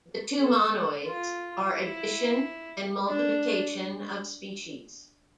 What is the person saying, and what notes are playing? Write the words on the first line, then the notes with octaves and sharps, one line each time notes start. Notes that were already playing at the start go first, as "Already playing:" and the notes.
The two monoids are addition and multiplication of species.
A4
F4
E4
D4